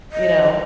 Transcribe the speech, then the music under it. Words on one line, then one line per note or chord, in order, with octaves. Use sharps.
you know?
D#5